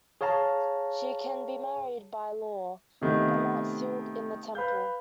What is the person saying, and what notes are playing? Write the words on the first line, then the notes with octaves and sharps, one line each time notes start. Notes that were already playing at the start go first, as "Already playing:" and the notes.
She can be married by law, but not sealed in the temple.
G#4 C#5 F5 A5 A#5
C3 D#3 A3 B3
B4 F5 G6